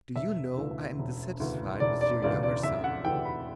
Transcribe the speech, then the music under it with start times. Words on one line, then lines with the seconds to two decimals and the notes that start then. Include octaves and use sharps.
Do you know I am dissatisfied with your younger son?
0.15 E1 E5
0.57 D2 C#3 E3
0.99 E1
1.40 D2 C#3 E3
1.80 E1 D5
2.01 D5
2.22 D2 C#3 E3 D5
2.43 D5
2.63 E1 E5
2.84 F#5
3.04 D2 C#3 E3 G5
3.25 B5